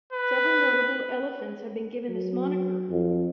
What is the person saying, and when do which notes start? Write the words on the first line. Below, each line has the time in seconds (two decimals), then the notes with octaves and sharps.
Several notable elephants have been given this moniker.
0.13 B4
2.09 F#3
2.90 F2